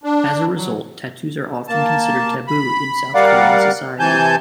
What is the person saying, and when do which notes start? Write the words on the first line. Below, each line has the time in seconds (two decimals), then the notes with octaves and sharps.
As a result, tattoos are often considered taboo in South Korean society.
0.04 D4
0.55 F#3
1.67 A#3 A5
2.48 B5
3.15 G3 A#4 D5 F5 F#5
4.00 C3 E3 G#5 A5 G6